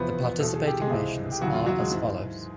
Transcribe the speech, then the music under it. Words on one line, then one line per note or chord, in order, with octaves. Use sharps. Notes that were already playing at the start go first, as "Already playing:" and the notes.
The participating nations are as follows.
Already playing: E2 C3 F3 B3 B4
E2 B2 A4
G#4
G4
G#3 G#4
C#2 C3 E3
G4
D#2 C#3 E3 F#3 F#4
F4
F#3 F#4
G#3 G#4
G#2 E3